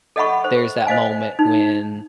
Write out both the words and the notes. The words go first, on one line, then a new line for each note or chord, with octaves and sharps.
There's that moment when
A4 D#5 E5 F#5 B5 C#6
C5
C5 D#5 F5 G#5
D#4